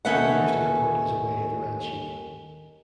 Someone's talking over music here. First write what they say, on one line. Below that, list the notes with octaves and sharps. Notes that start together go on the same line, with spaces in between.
The nearest airport is away in Ranchi.
D#2 C#4 A4 B4 E5 F#5